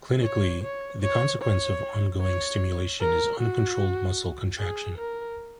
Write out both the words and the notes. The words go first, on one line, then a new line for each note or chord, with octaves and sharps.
Clinically, the consequence of ongoing stimulation is uncontrolled muscle contraction.
C#5
C#5
C#5
C#5
C#5
A#4
F#4
G#4
A#4